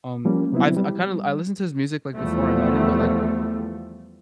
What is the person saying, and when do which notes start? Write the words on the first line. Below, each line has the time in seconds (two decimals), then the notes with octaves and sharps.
Um, I've I kinda I listened to his music, like, before I met him, but, like,
0.25 F3 G3 A#3 C#4
0.52 C3 F#3 B3 C4 E4
0.77 G3
2.15 E2 F3 G3 A3